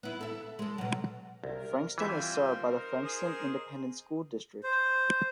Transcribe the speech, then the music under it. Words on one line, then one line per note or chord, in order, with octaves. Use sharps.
Frankston is served by the Frankston Independent School District.
B3 E4
A4 E5
G#3 A4
B2 F#3
C2 A#4
E3 G3 C4 F4 E5 G#5
D#4 A#4 C5
G#4 D#6
C5